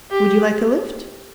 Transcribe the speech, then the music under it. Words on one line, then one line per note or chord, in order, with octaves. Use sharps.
Would you like a lift?
G4